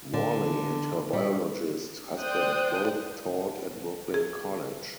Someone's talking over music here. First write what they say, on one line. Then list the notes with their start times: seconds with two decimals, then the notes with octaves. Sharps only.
Worley and her biologist husband both taught at Brooklyn College.
0.14 D3
1.13 G3
2.20 C5 D5 G5 D#6 F#6 G6
4.14 G#4